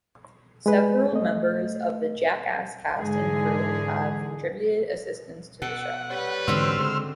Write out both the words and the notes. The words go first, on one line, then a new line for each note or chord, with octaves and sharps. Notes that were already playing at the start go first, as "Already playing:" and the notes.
Several members of the "Jackass" cast and crew have contributed assistance to the show.
G#3 G#4 B4
A3 D#5
G#2 D3 E3 G#4
B2 A4 F#5
G3 C#4 B4
G#2 D3 E3 C4 F#4 C5 E6 F6
C#3 G#3